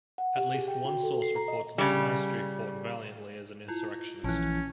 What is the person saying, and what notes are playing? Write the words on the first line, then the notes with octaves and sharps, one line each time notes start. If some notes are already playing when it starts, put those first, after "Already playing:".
At least one source reports that Maestri fought valiantly as an insurrectionist.
F#5
G4
G#4
G5
F#4
A4
C7
A#5
D#5
C#3 G3
E4 F4
A#1 E3 C#4 A5 F#6